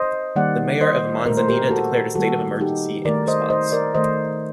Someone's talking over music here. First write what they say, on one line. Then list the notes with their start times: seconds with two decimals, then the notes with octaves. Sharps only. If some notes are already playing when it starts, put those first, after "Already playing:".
The mayor of Manzanita declared a state of emergency in response.
Already playing: C5 D#5
0.36 D#3 G3 A#3 D5 F#5
0.81 C5 D#5
1.26 A#2 A3 A#4
1.37 C5
1.48 G4 A#4
1.71 F#4 A4
2.15 D#3 G3 A#3 F#4 A4
2.61 D#4 G4
3.05 D#3 A3 A#4 D5
3.28 C5 D#5
3.50 C5 D#5
3.72 A#4 D5
3.95 D#3 A3 C5 D#5